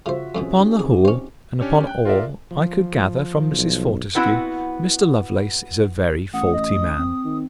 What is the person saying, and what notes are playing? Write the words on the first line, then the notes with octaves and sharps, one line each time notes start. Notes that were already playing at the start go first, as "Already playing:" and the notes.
Upon the whole, and upon all I could gather from Mrs. Fortescue, Mr. Lovelace is a very faulty man.
C#3 F4 F#4 C5 E5
F2 G#2 B2 C#4 G#4
C#4 D#4 G4
C4 G#4
C#4 C5
C#4 D4 G4 C#5
G5 F#6
F4 A#4 D5 E5
F3
B1
B3 C4 E4 F#4 F#5
A1 F#5 D#6
D#5
C4
D#3